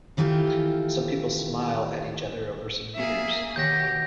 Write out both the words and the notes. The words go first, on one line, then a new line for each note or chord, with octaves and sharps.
Some people smile at each other over some beers.
D#3 E3 A3 F4 G4
A#3 G#4 E5
E1 D#3 G4 C#5 F#5 G6 A#6